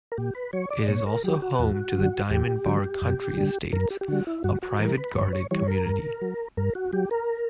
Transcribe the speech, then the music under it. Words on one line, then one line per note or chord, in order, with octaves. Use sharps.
It is also home to the Diamond Bar Country Estates, a private guarded community.
A#4
A#2 G4
B4
F#3 C#5
D5
A#2 C#5
A#4
F#3 G4
F#4
E2
D3 F#3
E2 G4
D3 F#3
F#2
D3 G3
F#2 A#4
G4
G4
D3 G3 F#4
E4
G2 F#4
F#4
E3 G3 A#4
B4
G2 C#5
B4
C#5
E3 G3 C#5
A#4
G2
F#3
G2 A#4
F#4
F#3 G4
A#4